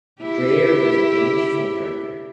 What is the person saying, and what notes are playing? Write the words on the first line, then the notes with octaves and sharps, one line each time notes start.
Dreyer, was a Danish film director.
E4 G4